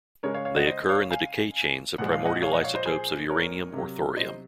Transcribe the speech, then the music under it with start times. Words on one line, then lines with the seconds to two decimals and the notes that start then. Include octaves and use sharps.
They occur in the decay chains of primordial isotopes of uranium or thorium.
0.23 C#3 G#3 A#4 C#5
0.34 C#5 F5
0.45 C#5 F5
0.56 D#5 F#5
0.67 C5 D#5
0.89 C#5 F5
1.11 F5 G#5
1.98 A#2 F3 G#3 F#5
2.12 F5
2.25 D#5 F#5
2.42 C#5 F5
2.48 G#5
2.53 D#5 F#5
2.64 C#5 F5
2.75 C5 D#5
2.86 G#4 C5
3.30 A#4 C#5
3.73 C3 F#3
4.17 C5 D#5